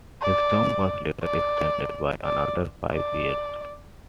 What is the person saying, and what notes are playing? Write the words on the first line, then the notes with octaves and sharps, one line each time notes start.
His term was later extended by another five years.
D5
D5
D5
D5